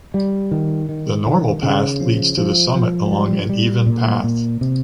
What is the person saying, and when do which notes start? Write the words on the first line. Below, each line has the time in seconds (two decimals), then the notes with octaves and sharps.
The normal path leads to the summit along an even path.
0.14 G3
0.51 D#3
0.89 D#3
1.26 D#3
1.63 C#3
2.00 F3
2.37 F3
2.75 F3
3.12 G3
3.49 G3
3.86 A#2
4.24 A#2
4.61 C3